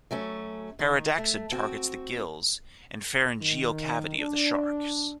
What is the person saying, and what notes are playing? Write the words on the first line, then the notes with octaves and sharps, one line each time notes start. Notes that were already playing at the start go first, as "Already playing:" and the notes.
Pardaxin targets the gills and pharyngeal cavity of the sharks.
F#3 A3 C#4
D#3
A3
C4 F#4
D#3
D4